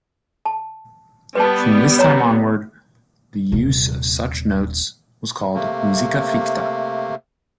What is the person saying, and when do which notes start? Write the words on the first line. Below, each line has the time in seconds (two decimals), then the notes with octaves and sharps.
From this time onward, the use of such notes was called musica ficta.
0.45 A5
1.35 G3 B3 B4 A5
1.99 C#5 A#5
3.52 D#1 C3
5.54 C3 A3 A#3